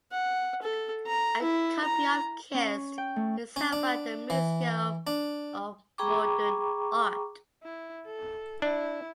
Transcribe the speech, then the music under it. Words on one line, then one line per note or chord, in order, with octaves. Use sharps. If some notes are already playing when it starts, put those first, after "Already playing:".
A copy of "Kissed" is held by the Museum Of Modern Art.
F#5
A4
A#5
E4
A#5
C#4
G5
A3
C#4
D4
E3
D4
G#4 G5 A#5 B5 C#6 D6
E4
A4
D4 E4